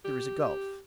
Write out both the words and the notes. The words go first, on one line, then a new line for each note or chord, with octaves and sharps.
There is a gulf.
G4